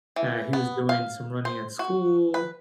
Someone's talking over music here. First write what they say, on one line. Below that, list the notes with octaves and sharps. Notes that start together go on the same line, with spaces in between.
Uh, he was doing some running at school,
E3
B3
F5
C5
F#4
B4